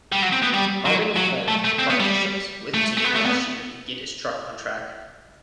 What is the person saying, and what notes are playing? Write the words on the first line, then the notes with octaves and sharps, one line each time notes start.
Harmon formed partnerships with teams last year to get his truck on track.
G3
F#3
C4
B3
G3
F#3
F#3
A3
A3
C4
B3
G3
A3
A3
B3
A3
B3